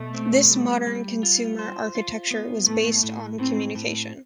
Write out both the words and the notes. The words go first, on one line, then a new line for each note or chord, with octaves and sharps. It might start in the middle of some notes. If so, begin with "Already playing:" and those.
This modern consumer architecture was based on communication.
Already playing: B2 A3
C4
G3
G3
F4
C5
F4
B3
A2 A3
A2
A2 C4
A2